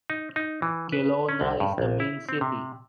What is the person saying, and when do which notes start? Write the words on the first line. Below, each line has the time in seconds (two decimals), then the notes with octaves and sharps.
Kelowna is the main city.
0.10 D#4
0.36 D#4
0.62 E3
0.92 B4
1.29 C#4
1.41 C2
1.60 G2
1.78 A#1
2.00 E4
2.29 C4
2.41 C3